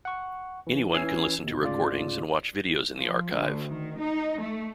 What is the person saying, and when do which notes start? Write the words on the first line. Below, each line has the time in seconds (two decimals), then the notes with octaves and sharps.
Anyone can listen to recordings and watch videos in the archive.
0.05 F#5 C#6
0.67 E3
0.93 E3 C#4 E6 G#6 C7
1.43 D#2 B2
1.62 D2 G#2 C#3 F4 D5
2.97 F3
3.32 D2
3.67 D#3
3.99 D#4
4.40 A3